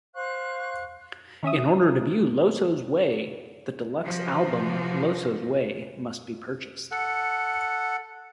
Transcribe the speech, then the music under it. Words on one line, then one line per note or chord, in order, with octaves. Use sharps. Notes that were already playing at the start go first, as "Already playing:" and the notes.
In order to view "Loso's Way", the deluxe album "Loso's Way" must be purchased.
C5 F5 C#6 F#6
D#3 C#4 E5 D#6
C3 E3 F3 F#4
A4 F#5